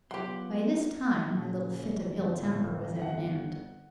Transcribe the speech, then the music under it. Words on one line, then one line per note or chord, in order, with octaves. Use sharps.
By this time my little fit of ill-temper was at an end.
F#3 B3 F4 G4 F#5 G5 C6
A#2 C#3
G1 F2
A2
F#5